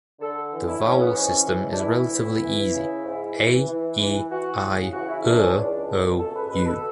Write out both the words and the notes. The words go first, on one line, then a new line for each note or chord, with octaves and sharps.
The vowel system is relatively easy: "a", "e", "i", "ə", "o", "u".
D3 A4
E3
E4
E3 C#4
B3
G#2 C#4
E3
D4
E3 E4
D2
E3
C#3
G#2
E3
E3
E3
E3 F#4
C#3
E3 F#4
E4
E2 D4
C#4
C#2 D4
B2
C#2 A4
B4
B2 B4
A4